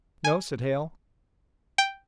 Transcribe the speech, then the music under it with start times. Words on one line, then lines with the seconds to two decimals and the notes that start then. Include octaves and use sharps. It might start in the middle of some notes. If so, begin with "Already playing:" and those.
"No," said Hale.
0.24 G#5
1.78 G5